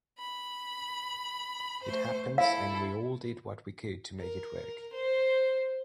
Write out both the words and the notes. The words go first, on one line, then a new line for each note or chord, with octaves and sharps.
It happens and we all did what we could to make it work.
B5
A3 C5
E4 A4 F5
A#4
C5